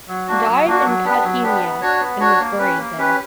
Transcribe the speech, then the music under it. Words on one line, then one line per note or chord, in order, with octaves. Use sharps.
Died in Kadhimiya and was buried there.
F#3
A#3 D4 F#4
F#3
A#3 D4 F#4
F#3
B3 D4 G4
F#3
B3 D4 G4
B3
D4 F#4 C#5
B3
D4 F#4 C#5
A#3
C#4 G4 B4
A#3
C#4 G4 B4